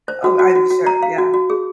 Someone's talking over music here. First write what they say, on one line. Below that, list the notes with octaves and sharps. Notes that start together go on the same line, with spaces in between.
Oh, I'm sure, yeah.
C5
F#4
F#4
F#4
F#4
A#5
F5
F#4
F#4
G#4